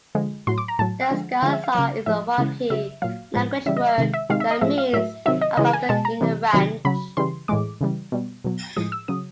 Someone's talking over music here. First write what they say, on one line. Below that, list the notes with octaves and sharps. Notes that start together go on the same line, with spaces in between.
Destghil sar is a Wakhi language word, that means above the inner ranch.
D3 F3 G#3
A2 F#3 C6
D6
A#5
A2 F#3 A5
F#5
D3 F3 G#3
D3 F3 G#3 F5
E5
F5
C#3 F#3
A2 F3 G#3 E5
C#3 E3 G#3
C#3 F#3 E5
A#2 F#3 F5
A2 F3 G#3
C#3 E3 G3 E5
D#5
E5
C3 D#3 G#3
E5
C3 D#3 G#3 F5
E5
D#5
A2 F3 G#3 E5
F5
A2 F#3 E5
C3 D#3 F#3 E5
D#5
C#3 E3 G#3 D#5
G#5
B2 G#3 A5
A#5
C3 E3 G3
C3 D#3 F#3
C#3 F#3 B5
C#3 E3 G3 C6
A2 E3 G#3 D6
C#3 E3 G3
B2 G3
B2 F#3
A2 F3 G#3 D#6
E6
C#3 F#3 D#6